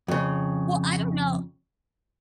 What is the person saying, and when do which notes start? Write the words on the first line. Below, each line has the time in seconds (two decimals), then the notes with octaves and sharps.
Well, I don't know
0.08 F2 C#3